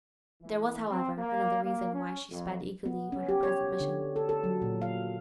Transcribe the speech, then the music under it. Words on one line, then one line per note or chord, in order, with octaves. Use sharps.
There was, however, another reason why she sped eagerly on her present mission.
E3
C4
A#3
A#3
C#4
F2
B3
C#4
G4
C#5
D3
A4
A4
F#3
A#2
F5